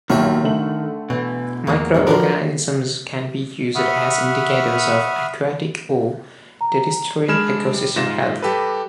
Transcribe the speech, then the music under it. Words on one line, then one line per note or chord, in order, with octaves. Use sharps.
Microorganisms can be used as indicators of aquatic or terrestrial ecosystem health.
B1 G2 A#2 D#3 E4 C#5 G5
D3 A3 F#7
B2 E3
E2 A#3 F4 F#4
D2 G#2 D#3
F2 F3 F#3 D4 A#4 B4
E5 F#5 B5 C#6 D#6 F6
A#5
G#3 D4 B5 F6 G#6 E7
G3
G#2 F4 A#6 E7
G3 G4 A4 B4